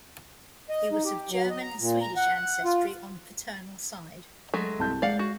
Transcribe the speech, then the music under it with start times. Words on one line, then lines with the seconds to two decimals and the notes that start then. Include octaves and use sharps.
He was of German and Swedish ancestry on paternal side.
0.70 D#5
0.92 D#4
1.05 G4
1.30 F#3
1.50 D#5
1.62 A#5
1.80 A#2
2.02 A#5
2.17 F#5
2.34 F#5
2.65 F4
4.54 F#3 G#3 A3
4.79 C2 A5 G6
5.02 G#3 D5 F5 F#5
5.19 F#4